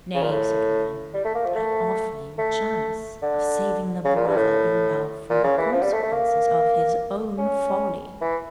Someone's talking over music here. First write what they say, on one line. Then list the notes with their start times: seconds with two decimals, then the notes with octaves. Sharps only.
"Nay, citoyenne, I offer you a chance of saving the brother you love from the consequences of his own folly."
0.14 C#3
0.23 A#2
0.31 A2
1.14 G3
1.24 A3
1.35 A#3
1.45 F3
1.55 A3
2.38 A3
3.22 D3
4.05 C#3
4.15 A#2
4.26 G2
4.37 A2
5.29 A#2
5.44 C#3
5.58 E3
5.72 F3
5.82 G3
5.93 A3
6.03 A3
6.13 A#3
7.38 C#4
8.21 E3